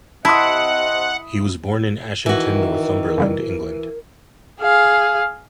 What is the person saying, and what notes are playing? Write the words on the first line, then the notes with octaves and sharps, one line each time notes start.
He was born in Ashington, Northumberland, England.
C3 E4 D#5 F#5 A5 C6 D#6
D#3 E3 F#4 A#4
F#2 C#3 G3
G#4 F5